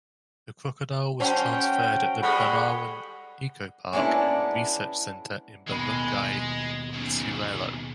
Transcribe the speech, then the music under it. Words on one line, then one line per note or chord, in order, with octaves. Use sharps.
The crocodile was transferred at the Bunawan Eco-Park and Research Center in Barangay Consuelo.
F#3 C#4 C5 C#5 F#5 G5 A5
G3 G#3 A4 F#5 B5 C#6 G7
G#3 A#3 B3 C#4 D4 E4
D#2 B2 G#3 B5
B1 C#3